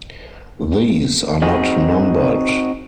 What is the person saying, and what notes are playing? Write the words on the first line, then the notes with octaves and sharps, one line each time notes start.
These are not numbered.
C4 D#4 F#4 G#4